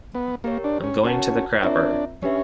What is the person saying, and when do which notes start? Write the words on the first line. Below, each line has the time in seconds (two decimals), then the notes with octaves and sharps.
"I'm going to the crapper".
0.15 B3
0.44 A#3 G4 A#4 C#5
0.64 D4
0.83 C#4
1.03 C#4 F#4 A#4 C#5 F#5 A5
1.63 C4 D4 F4 A#4 C#5 E5
2.23 C#4 D4 G4 B4 E5